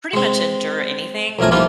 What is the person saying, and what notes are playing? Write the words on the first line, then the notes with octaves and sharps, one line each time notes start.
pretty much endure anything
G#3 C4
B1 F2 A3 A#4 G#5
E3 F3 G3 A#3 D#4 F4